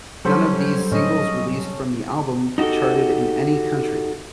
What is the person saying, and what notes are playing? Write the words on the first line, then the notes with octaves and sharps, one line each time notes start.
None of the singles released from the album charted in any country.
F#3 G3 C#4 A4 C5 B5
A2 C#4 D#5
D#4 F#4 G4 A4